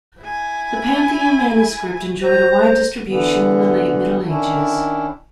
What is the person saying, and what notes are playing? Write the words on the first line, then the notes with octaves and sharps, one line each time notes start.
The Pantheon manuscript enjoyed a wide distribution in the late middle ages.
E4 G#5
C5 A#5
D3 E3 B3
D#3 C#4 D4 E4